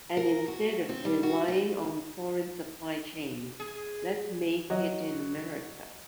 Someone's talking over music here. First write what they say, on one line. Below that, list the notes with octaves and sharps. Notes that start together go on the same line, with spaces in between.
And instead of relying on foreign supply chains, let’s make it in America.
A#4
F#4
C4
G3
F#4
D#4
G#4
F#3 D#5